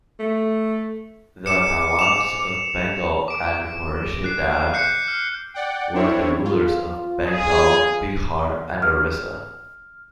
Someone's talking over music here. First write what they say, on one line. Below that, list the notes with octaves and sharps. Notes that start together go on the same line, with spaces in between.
The Nawabs of Bengal and Murshidabad were the rulers of Bengal, Bihar and Orissa.
A3
G#2 D6 C#7 E7
E7 F7
D6 D7
F#6 C7
F#6 G6 C7 C#7
F6
D5 F#5 G5
C4 D4 E4 C#5
F4
G#4
F6